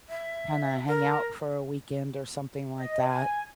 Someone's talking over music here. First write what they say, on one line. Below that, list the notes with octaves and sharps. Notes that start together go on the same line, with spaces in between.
kinda hang out for a weekend or something like that,
E5
A#4
D#5
G#5